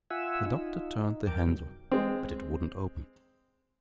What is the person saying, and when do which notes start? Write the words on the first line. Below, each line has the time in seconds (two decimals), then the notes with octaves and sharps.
The Doctor turned the handle but it wouldn't open.
0.10 F4 E5 F#5 G#5 E6
0.46 D#4 F4
0.98 D#4
1.27 F2 A#4 G5 D6
1.46 C3 F#3
1.92 G#3 C4